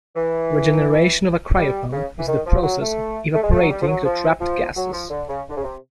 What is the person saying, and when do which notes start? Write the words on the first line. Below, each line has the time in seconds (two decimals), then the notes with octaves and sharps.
Regeneration of a cryopump is the process of evaporating the trapped gases.
0.16 E3
1.57 G3
1.92 C#3
2.19 E3
2.28 D#3
2.46 F3
2.63 F#3
2.81 A3
3.35 A3
3.43 G#3
3.51 A3
3.62 F#3
3.70 G3
3.82 F3
3.87 F#3
4.04 F3
4.40 F3
4.76 F#3
4.93 F3
5.10 D3
5.29 C#3
5.50 D3
5.57 C#3
5.64 C3